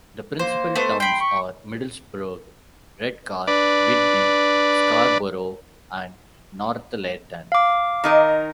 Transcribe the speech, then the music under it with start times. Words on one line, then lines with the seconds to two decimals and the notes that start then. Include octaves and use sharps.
The principal towns are Middlesbrough, Redcar, Whitby, Scarborough and Northallerton.
0.39 A#3 C5
0.75 A3 B3 C5
1.00 G5 B5 C6
1.20 C#6
3.47 D4 B4 D5
7.52 F5 D6
8.04 D#3 D#4 A#4